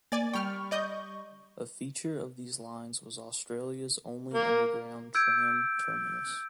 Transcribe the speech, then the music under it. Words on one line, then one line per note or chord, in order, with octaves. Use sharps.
A feature of these lines was Australia's only underground tram terminus.
A#3 D5 G#5 A6
G3 G5 B5 C#6 F6
D5 D#5 G6
A#3
E6 G6 G#6 D7